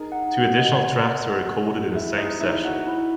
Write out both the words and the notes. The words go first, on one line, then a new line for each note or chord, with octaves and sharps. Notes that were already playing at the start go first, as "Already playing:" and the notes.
Two additional tracks were recorded in the same session.
Already playing: D#4 G#4 A#4
F#5
D#5
F#5
D#5
E4 G#4
D#4
D#4 E4
F#4
E4